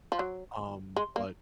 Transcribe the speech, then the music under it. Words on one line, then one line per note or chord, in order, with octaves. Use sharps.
um, but
F3
F#3
G#3
A#3